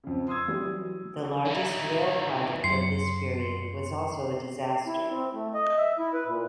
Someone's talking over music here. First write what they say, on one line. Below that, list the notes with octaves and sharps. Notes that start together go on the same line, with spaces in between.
The largest rail project of this period was also a disaster.
F2 C#3
C6 D#6 E6 G#6
E3 F#3 G3
F#3
E3 D#4
F#2 C6 C7 C#7
E4
C4
A3
D#5
E5
E4
B4
A#2